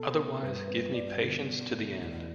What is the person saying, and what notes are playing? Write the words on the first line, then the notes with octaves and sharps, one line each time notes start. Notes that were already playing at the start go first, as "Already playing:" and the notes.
Otherwise give me patience to the end.
Already playing: B2 A4
A3 A4
G2 B4
G3 B3 B4
G2 D5
D3 B3
B2
A3
E2